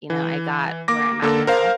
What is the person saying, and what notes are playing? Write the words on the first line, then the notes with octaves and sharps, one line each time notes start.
you know, I got where I'm at now,
E3
A#3 D6 A#6
D3 A#3 A4
A#4 C5 F5